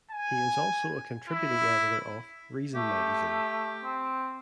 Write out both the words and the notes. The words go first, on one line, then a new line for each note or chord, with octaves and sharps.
He is also a contributing editor of "Reason" magazine.
G#5
E4
A3 G4
C4